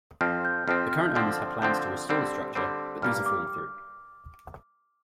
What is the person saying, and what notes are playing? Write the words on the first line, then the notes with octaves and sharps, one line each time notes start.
The current owners had plans to restore the structure, but these have fallen through.
F2 F3 C4 F6
G6
F2 F3 C4 F6
F6
G6
D3 F3 C4 F6
D3 F3 C4 G6
D3 G3 C4
D3 G3 C4
G2 G3 A#3 F6
D6